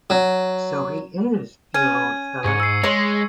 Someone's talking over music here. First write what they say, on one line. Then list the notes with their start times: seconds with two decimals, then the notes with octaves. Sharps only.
So he is, dear old fellow!
0.10 F#3
1.74 C#4 G#6 D#7
2.44 G#2 C#6 G#6 C#7
2.60 E6 C7
2.84 G#3 C#5 C6